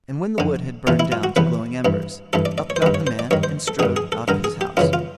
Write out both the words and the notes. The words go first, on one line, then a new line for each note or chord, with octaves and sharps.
And when the wood had burned down to glowing embers, up got the man and strode out of his house.
F2 D3
E2 C3 E3 F4
E4
F4
F#4
E2 C3 E3 B4
G2 E3
G2 E3 A4
D5
D5
C#5
C5
G2 D#3 B4
C#5
C5
D5
G2 D#3 C#5
C5
A4
G2 D3 G#4
G#4
A4
G2 D3 A#4
G#4
G4
F#2 C#3 E3 F4
F4